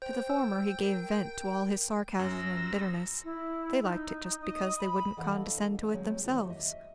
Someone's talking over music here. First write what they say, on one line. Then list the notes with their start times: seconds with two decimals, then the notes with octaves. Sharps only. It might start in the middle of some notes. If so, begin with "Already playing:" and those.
To the former he gave vent to all his sarcasm and bitterness; they liked it just because they would n't condescend to it themselves.
0.02 C5 G5
0.29 E6
0.80 A#4
2.19 F#2 E6 A#6
3.24 E4
3.83 D#4
4.41 D#5
4.79 B5
5.17 E3 D4 A4 D#5 F5 F#5
5.75 C#4 F5
5.94 F#3 G#3 C4
6.23 D#2 A3 F#4 G4
6.49 D#5 E5